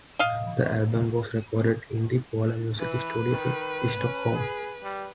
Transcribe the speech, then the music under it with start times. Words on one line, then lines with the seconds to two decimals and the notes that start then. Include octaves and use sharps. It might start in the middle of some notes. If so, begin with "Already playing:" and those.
The album was recorded in the Polar Music Studios in Stockholm.
0.19 D#5 F5
2.79 E3 B4
3.32 D#3
3.99 C#4
4.34 G#4
4.83 G3